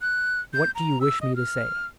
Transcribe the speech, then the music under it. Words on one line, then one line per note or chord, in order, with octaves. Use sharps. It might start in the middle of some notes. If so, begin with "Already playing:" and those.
"What do you wish me to say?"
F#6
G6
A#5
E6
D#5
F6